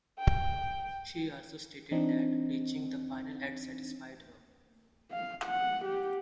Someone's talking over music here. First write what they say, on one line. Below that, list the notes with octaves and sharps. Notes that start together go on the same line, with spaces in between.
She also stated that reaching the final had satisfied her.
G5
E3 C4 D4 D#4
F5
F#5
G4